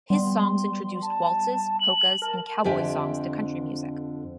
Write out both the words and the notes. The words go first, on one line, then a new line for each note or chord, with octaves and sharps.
His songs introduced waltzes, polkas, and cowboy songs to country music.
G3 B3 C6
A5
F#7
A#4 A5
F2 D3 G4 E5 G#5